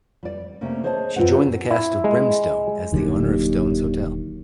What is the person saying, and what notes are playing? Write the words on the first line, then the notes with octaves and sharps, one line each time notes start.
She joined the cast of "Brimstone" as the owner of Stone's hotel.
G3 D5
G3
C3 A3 A#3 C#4
G#4 C5 C#5 D#5 F#5 A5
F#2 C4 F4 B4 C5 F#5
E4
G#3
D#1 D#2 D3 F#3